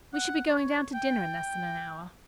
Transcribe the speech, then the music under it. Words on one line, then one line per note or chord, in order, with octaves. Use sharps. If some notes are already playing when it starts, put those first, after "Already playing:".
"We shall be going down to dinner in less than an hour."
F#5
C#5
G5